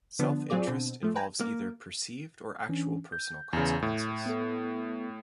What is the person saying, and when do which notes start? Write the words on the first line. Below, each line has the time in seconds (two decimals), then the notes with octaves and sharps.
Self-interest involves either perceived or actual personal consequences.
0.19 D3 F3 B3 D4
0.50 F#3 C4 F4 G#4 D5
0.67 B2 D3 C4
1.03 F3 A3
1.15 B4 G5 G#5 A#5
1.41 A#3
2.69 E3 C#4 D4
3.12 G6
3.53 E2 C#3
3.82 A2
4.26 B3 A4